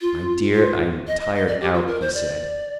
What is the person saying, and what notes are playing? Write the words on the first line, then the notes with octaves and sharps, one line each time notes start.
"My dear, I am tired out," he said.
F4
F4
D#5
D#5
D#5
D5
G4
F4
A#4
C5
D5